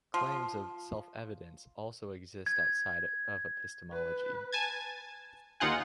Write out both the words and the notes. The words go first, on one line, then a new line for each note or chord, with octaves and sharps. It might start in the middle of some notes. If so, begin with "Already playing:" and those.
Claims of "self-evidence" also exist outside of epistemology.
F3
G#6
B4
G#5 A5 G#6
D#2 D#4 F4 F#5 G#5